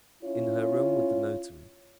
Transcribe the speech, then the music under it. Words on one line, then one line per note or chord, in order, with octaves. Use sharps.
"In her room with the notary."
C#4 E4 F4 C#5